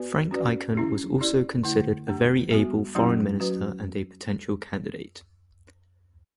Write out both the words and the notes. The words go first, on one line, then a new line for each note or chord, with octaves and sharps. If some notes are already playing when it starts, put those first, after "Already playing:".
Frank Aiken was also considered a very able Foreign Minister and a potential candidate.
Already playing: B3 F#4 B4 D5
C#4 F#4 B4 D5
C#4 E4 G4
C#4 E4 G4 D5
D3 A3 E4
A3 D4 G4
G3 B3 F#4 A4
F#3 A3 C#4 E4 G4
F#3 C#4 F#4 B4